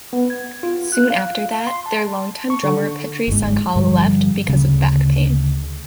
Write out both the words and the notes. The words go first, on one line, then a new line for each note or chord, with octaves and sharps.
Soon after that, their long-time drummer Petri Sankala left because of back pain.
B3
G#6
F4
F#6
F5
C6
A5
C#6
D3
G1 G#2
G2 D3 F3 G3
D2 C#3